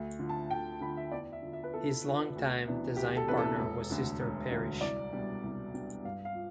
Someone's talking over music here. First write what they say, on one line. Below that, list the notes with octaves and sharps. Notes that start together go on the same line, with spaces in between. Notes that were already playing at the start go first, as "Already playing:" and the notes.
His long-time design partner was Sister Parish.
Already playing: D2
D3 F3
A5
D2 G5
D3 F3 B5
E5
E2 D5
E5
D3 F3
E5
B4
E2 A4
D3 F3
D2
C3 E3 B3 D4
D2 G4
A4
C3 E3 B3 D4 B4
A4
E1
D2 D3
E1
D2 D3
C2 D5
B2 G3 D4
C2
B2 G3 D4
G2 F5
F5
F3